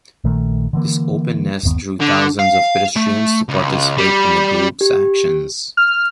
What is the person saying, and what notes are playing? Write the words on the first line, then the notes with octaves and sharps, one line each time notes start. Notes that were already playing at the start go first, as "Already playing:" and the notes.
This openness drew thousands of pedestrians to participate in the group's actions.
A#1 D#3 A3
D3 E3 A#3
G1 D#2 B3
D3
F5
A3
C#2
G3
G4
F6